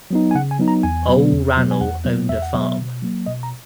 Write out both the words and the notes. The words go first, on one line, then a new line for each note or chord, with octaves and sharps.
Ole Ran'l owned a farm.
F#3 B3 D#4
G#5
C#3 F#5
G#5
F#3 B3 D#4
A#5
E2 G#5
B2 F#3 B3
E2
B2 F#3 B3
G#5
E2 F#5
B2 F#3 B3
E2 E5
F#5
B2 F#3 B3 E5
B2
F#3 A#3
B2 D#5
A#5